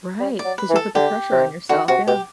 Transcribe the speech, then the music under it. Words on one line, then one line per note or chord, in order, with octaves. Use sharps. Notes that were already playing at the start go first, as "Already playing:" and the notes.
Right, 'cause you put the pressure on yourself, yeah.
G3
D5
F#3
B4
E3
A4
D3 G4
C3
D3 F#4
C3 F#4
B2 G4